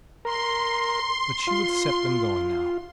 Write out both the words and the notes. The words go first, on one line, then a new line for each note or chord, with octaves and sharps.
But she would set them going now.
A#4 C6
F4